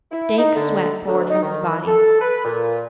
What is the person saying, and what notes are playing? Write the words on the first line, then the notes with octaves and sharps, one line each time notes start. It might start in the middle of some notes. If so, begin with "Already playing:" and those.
Dank sweat poured from his body.
E4
D#4
D3
D2
D#4
D#3
A4
B4
A#2